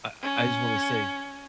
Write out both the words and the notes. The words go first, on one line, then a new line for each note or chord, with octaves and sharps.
I I I just wanna say,
C#4